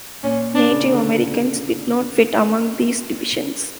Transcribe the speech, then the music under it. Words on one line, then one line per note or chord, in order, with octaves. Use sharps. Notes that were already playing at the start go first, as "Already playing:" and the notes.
Native Americans did not fit among these divisions.
A#2 C#4
D4
C#3
D3